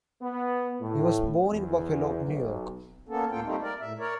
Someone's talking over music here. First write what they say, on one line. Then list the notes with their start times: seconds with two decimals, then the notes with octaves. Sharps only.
He was born in Buffalo, New York.
0.22 B3
0.81 A2
1.52 E2
2.26 B1
3.09 A#3 B3 C#4 A4
3.31 D2 A2 A#3 F4 A4 G5
3.44 G3 A3 A#3 C4 D#4
3.61 A#4 D5
3.80 A2 E5
3.99 A#4 C#5 D5